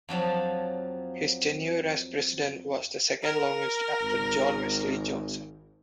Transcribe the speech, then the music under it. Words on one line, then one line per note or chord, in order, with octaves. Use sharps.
His tenure as president was the second-longest after John Wesley Johnson.
F2 F3 F#3 A5
A#4
G#1